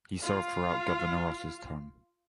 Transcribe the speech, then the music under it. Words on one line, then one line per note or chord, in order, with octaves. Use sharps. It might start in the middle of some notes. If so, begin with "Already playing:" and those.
He served throughout Governor Ross's term.
F4 F5